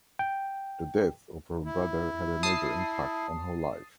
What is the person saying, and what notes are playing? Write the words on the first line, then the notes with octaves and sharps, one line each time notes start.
The death of her brother had a major impact on her life.
G5
E4
A5 D#6 C7